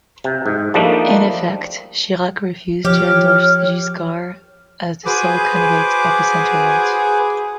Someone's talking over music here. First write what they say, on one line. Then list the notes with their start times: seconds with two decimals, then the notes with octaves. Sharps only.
In effect, Chirac refused to endorse Giscard as the sole candidate of the centre-right.
0.24 C3
0.46 G#2
0.74 F3 G3 A3 A#3 D4 D#4
2.85 F3 G4 C#5 F6
5.06 F#4 G#4 B4 C5 D6